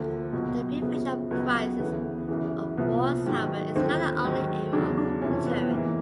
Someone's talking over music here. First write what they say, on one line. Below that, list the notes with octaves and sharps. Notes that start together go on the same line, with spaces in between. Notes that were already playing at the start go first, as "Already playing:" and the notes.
The prevention of crises of wars however is not the only aim of deterrence.
Already playing: D2 D3 F3 A#3
C#2 B2 F#3
F#2 C#3 F3 B3
C#2 C#3 F#3 B3
B3
D2 C#3 E3 B3
F#2 C#3 E3
C2 A#2 F3 B3
G#2 D#3 F#3
D#2 D3 F3 C4
G#2 D#3 F#3
E2 C#3 F#3 D4
D4
F2 C3 E3 C#4
B3
B3
G#2 E3 A#3